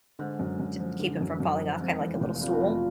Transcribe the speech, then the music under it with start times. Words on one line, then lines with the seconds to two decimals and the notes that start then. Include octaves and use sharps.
to keep him from falling off, kind of like a little stool,
0.19 G#2 D3
0.39 F#2
0.60 F#2
0.79 F3
1.00 D3
1.21 F#2
1.40 F#2
1.60 F3
1.80 F2 G#2
2.00 A2 E3
2.21 F1 A2
2.35 A#2
2.40 A2 C3
2.53 B2
2.61 F2 A#2